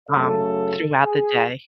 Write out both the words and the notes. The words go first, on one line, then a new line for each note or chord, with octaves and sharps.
um, throughout the day.
F#2 C#3 F#3 A3 A4
G#4